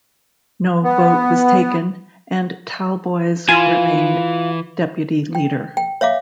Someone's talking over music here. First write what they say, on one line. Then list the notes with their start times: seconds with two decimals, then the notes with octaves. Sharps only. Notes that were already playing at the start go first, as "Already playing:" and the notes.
No vote was taken, and Talboys remained deputy leader.
0.84 B3
3.49 E3 F4 G#5
5.35 G5
5.77 G5
6.01 C#5 E5 F5 D6